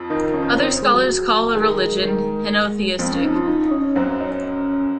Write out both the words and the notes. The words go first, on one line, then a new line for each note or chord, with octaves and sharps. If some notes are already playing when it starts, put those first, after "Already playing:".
Other scholars call the religion henotheistic.
Already playing: F2 F3
D#3 D#4
C#4
D#3
C4
G#3
F#3
D#3 G#3
G#3
D#3
F2 F3 C4
C#4
D#4
F4
D#4
C#4
F#2 F#3 C4
C#4
D#4
C#4